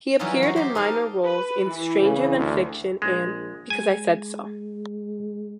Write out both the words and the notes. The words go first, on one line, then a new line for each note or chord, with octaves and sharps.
He appeared in minor roles in "Stranger Than Fiction" and "Because I Said So".
E3 F#3 G3 C#4 D#4 F4
F#4 C5 C#5
G4 C5
D#4 A4 A#4 F5
B4
E3
C#3
D2
A#1 G#3
G#3 G#5